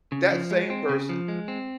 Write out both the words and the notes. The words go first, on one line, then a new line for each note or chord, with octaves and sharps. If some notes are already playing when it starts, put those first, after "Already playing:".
that same person
C#3
F3
G#3
C4
C#3
F3
G#3
C4